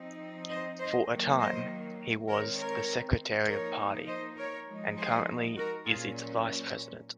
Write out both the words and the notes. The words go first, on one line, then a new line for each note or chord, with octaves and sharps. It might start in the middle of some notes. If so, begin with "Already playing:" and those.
For a time he was the secretary of party, and currently is its vice-president.
Already playing: F3 C4 D#4
C5 D#5
C5 D#5
D#3 F#3 A#3
C5 D#5
D#3 G#3 C4 A#4 C#5
A#4 C#5
F3 A#3 D#4 A#4 C#5
C5 D#5
A#4 C#5
F3 G#3 D#4
G#4 C5
F#4 A#4
A#2 F#3 C#4 F4 G#4